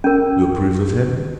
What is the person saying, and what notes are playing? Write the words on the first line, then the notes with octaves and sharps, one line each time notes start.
"You approve of him?"
C#4 A#4